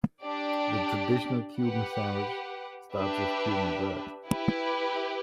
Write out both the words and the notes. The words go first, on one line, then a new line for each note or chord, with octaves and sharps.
The traditional Cuban sandwich starts with Cuban bread.
D4 G4 D5
G4 B4 F#5
D4 G4 B4 E5
E4 G4 B4